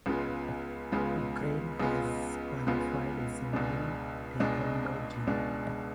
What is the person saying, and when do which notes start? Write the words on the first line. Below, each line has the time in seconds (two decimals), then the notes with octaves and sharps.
Ukraine has qualified a single taekwondo jin.
0.06 C#2 C#3 G#3 B3 F4
0.92 C#2 C#3 G#3 B3 F4
1.80 C#2 C#3 G#3 B3 F4
2.67 C#2 C#3 G#3 B3 F4
3.53 C#2 B2 G#3 D4
4.40 C#2 B2 G#3 D4
5.27 C#2 B2 G#3 D4